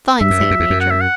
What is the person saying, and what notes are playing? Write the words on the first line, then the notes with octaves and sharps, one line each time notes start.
"Fine," said the Major.
G2 E5
F#2
G2
F#2
E2
F#2
F#5
E5
F#5